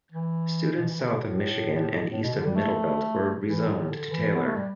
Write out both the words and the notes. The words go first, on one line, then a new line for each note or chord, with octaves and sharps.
Students south of Michigan and east of Middlebelt were rezoned to Taylor.
E3
B2
E3
D3
B2
A2
A2
B2
D3
G3
A3
E3
A2
D3
E3
B3
A3
G3